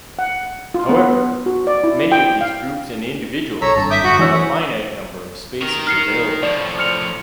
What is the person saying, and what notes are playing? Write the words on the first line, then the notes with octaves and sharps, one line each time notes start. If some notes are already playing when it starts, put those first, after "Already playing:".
However, many of these groups and individuals have a finite number of spaces available.
F#5
F4
B3
F#4
D5
E4
G5
F5
B1 A4 C#5 A#5 E6 B6
G#1 G2 A4 A#5
E5 D6 D#6 G6
F#2 D3 F#4
E3 C#4 F#4 C#5 E6
E5
D#3 A#4
F6 C7 C#7
A2 F3 D5
F6 C#7 F7